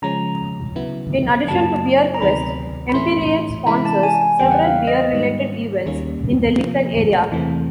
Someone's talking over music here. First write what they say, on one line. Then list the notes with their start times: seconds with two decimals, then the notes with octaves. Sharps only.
In addition to "BeerQuest", Empyrean sponsors several beer-related events in the Lincoln area.
0.02 C#3 F3 G#3 C#4 A#5
0.75 C#3 F#3 B3 E4
1.48 F#2 C#3 F#3 A#3 A5
2.14 A#5
2.21 D2 C3 D#3 F#3 B3 B5
2.89 B5
2.93 A2 E3 A3 C#4 E4 C6
3.66 C3 E3 G#3 C#4 E4 B5
3.85 A5
4.03 G#5
4.21 G#5
4.39 E2 C#3 E3 G3 B3 G5
4.51 F#5
4.64 F5
4.87 D#5
5.13 G#2 D#3 G3
5.86 D#2 D#3 G3 A#3 C#4
6.58 C3 F3 A#3
7.31 E2 C3 E3 A3 C4